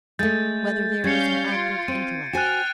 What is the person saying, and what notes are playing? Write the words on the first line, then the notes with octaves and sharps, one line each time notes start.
Whether There Is an Active Intellect?
G#3 A3 G6 A6
G3 C#4 F5 G6 G#6 C7 C#7
F4 D7
C4 D7 D#7
F#4 C5 G5 G#5 F6 F#6 A6 E7